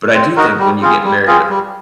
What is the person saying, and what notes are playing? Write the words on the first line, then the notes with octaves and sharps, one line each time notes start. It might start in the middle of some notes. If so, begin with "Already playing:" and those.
but I do think when you get married,
C4
D#4 F#4 A#4
G3
C4 F4 G#4
G3
C4 F4 G#4
G3